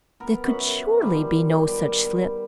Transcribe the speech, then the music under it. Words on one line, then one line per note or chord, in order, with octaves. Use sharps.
There could surely be no such slip!
B3 A#4
F#2 E5 F#5 B5
D#3 F3 G3
G3 G5